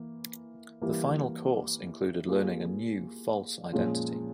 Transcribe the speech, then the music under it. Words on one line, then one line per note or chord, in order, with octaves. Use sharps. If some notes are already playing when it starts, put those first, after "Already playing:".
The final course included learning a new, false identity.
Already playing: E3 A#3
E3 G3 A#3
G3 A#3 F4 G#4
A#2 F3 G#3 C#4 F4